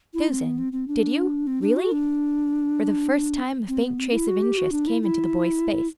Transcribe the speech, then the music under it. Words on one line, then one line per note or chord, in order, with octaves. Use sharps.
"Susan, did you, really?" For the first time a faint trace of interest came into the boy's face.
E4
C4
B3
C4
C4
D4
C4
D4
F#4
D4
C4
B3
C4
E4
F#4
G4
F#4
D4
E4
E4